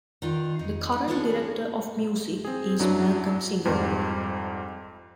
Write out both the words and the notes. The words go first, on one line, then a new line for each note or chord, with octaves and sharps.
The current Director of Music is Malcolm Singer.
D#3 D4 F4
F2 D#4
D4 F4 G#4 A4 C5 C#5
C4 G#4
F#2 F#3 D4 E4
F2 G#2 G3